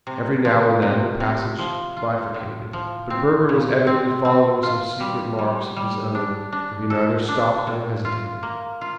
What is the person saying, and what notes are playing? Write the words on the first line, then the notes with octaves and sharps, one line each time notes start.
Every now and then the passage bifurcated, but Burger was evidently following some secret marks of his own, for he neither stopped nor hesitated.
C3
F3
C3
C3
F3
F4
A2
F3
C4
A#2
C4
C4
F4
G3
G3
G3
D4
D4
A4
D4
A2
F4
A#3
F4